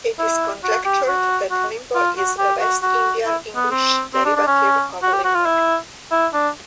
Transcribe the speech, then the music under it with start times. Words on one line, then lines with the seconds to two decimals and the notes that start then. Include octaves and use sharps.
It is conjectured that limbo is a West Indian English derivative of 'limber'.
0.19 E4
0.64 F#4
0.85 G4
1.07 F#4
1.51 F#4
1.95 F4
2.17 F#4
2.38 G4
2.61 F#4
2.83 F#4
3.26 E4
3.56 B3
3.71 C4
4.14 C4
4.25 D4
4.36 D4
4.47 C#4
5.02 F#4
5.13 G4
5.24 F#4
5.35 F4
5.45 E4
6.11 E4
6.33 D4